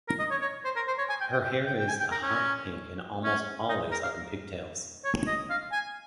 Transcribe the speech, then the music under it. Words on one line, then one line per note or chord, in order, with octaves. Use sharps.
Her hair is a hot pink and almost always up in pigtails.
A#4
D#5
C#5
C#5
C5
A#4
C5
C#5
G#5
G5
G5
G5
G5
G5
G#5
G5
A#4
C#4
C#4
D#4
A#4
F5
C#5
D#5
F5
G#5